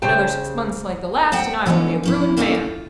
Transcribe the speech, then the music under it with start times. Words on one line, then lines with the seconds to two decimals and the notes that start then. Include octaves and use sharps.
Another six months like the last and I will be a ruined man.
0.02 C#3 C#4 G4 C5 G5 A5
1.32 C5 E5 F#5 G5
1.66 D3 E3 G3 G#3 B3 C#4
2.03 F3 C#4 E4
2.37 A3 A#3 C4 C#4 D#4 A4
2.55 F4